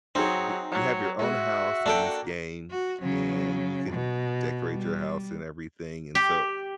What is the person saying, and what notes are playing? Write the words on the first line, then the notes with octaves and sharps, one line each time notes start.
th you have your own house on this game, and you can decorate your house and everything, and so,
F#3 C4 D#4 G#4
F#3
G#3 F#4 E5
A#3 D4 A4 G5
F#4
C#3 F#3
B2
G3
G4